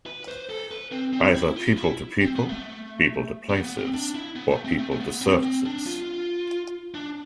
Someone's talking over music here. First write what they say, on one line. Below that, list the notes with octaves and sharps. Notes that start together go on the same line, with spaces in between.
Either people-to-people, people-to-places, or people-to-services.
B4
C5
A4
B4
C4
C4
E4
F4
E4
C4
B3
A3
B3
B3
C4
D4
E4
B3
A3
C4
A3
A3
B3
C4
C4
D4
F4
D4